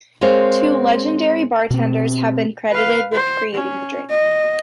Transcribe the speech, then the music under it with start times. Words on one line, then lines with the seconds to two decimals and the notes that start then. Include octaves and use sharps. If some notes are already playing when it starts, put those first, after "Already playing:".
Two legendary bartenders have been credited with creating the drink.
0.21 G#3 C4 A#4 C5 C#5 F5
1.70 B2 C4
2.71 B4 F5
3.13 C5
3.55 C#4
4.10 D#5